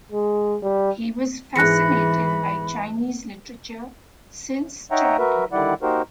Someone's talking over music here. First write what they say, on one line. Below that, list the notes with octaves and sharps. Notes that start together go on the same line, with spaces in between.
He was fascinated by Chinese literature since childhood.
G#3
G3
E2 G#2 E3 B5 F#6 A#6 C#7
D#4 C#5 E5 F#5 G5 A#5
F#4 A#4 B4 E5
D3 D#3 G3 E4 D5 F#5
A#3 D#4 F#4 G4 A#4 C5